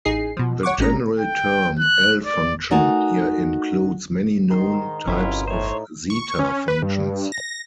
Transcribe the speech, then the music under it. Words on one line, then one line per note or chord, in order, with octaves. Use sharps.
The general term "L"-function here includes many known types of zeta-functions.
A1 D#4 G#4 C7
B2 F3
C#5 F#5 C#6 D6
G#1 G#3 C#4 A#5
G5
F#6
D5
A3 D#4 F#4 A#4 G#5 A5
G#2 D#3 D#4 C6
G1 C2 F2 B2 C#4 E4 F4
A2 C5 C#5
C#6
C#4
B4
G2
A#6